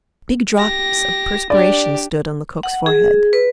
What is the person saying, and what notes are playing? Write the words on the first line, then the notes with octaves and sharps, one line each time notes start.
Big drops of perspiration stood on Lecoq's forehead.
G4 A#6
D4 G4 D5
F#5
G#4
B4